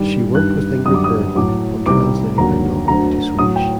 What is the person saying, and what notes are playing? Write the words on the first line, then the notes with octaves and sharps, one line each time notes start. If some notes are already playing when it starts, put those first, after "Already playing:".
She worked with Ingrid Bergman on translating her novel into Swedish.
Already playing: G2 D#3 G3
G2 D#3 G3 F#6
F#2 D3 G3 D#6
D6
D#6
A2 F#3 D6
C2 C3 D#3 G3 D6
D#2 D3 F#3 A#5
D2 D3 F#3 A#5
A2 F#3 D#6
G5